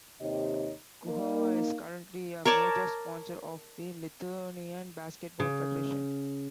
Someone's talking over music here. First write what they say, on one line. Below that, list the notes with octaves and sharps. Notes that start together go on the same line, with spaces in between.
Guoga is currently a major sponsor of the Lithuanian Basketball Federation.
D#2 C3 D#4 G4 C#5 D#5
A#3 D#4
A#4 C#5 D5 A5
C#3